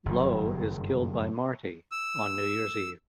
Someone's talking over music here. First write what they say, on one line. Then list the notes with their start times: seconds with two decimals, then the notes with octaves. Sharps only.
Lowe is killed by Marty on New Year's Eve.
0.06 F#1 G2 D#3 F#3
1.92 E6